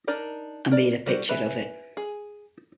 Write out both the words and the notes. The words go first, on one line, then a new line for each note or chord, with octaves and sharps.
I made a picture of it.
D4 D#4 A#4 D5
A#4 D5
G3 F#4 C5
B4 E5 G#5
G#4